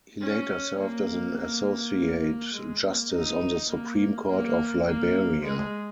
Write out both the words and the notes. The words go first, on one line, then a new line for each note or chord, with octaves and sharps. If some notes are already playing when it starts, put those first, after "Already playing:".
He later served as an Associate Justice on the Supreme Court of Liberia.
C#4
A#3
A#3
G#3
A#3
D#4
A#3
A#3
A#3
G#3